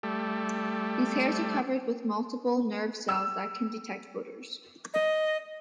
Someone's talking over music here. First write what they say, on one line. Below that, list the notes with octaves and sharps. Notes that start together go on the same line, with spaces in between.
These hairs are covered with multiple nerve cells that can detect odors.
G3 A3
E6
D#5